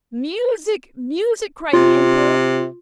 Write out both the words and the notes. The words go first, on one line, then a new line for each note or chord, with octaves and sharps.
"Music! music!" cried the Emperor.
C3 F4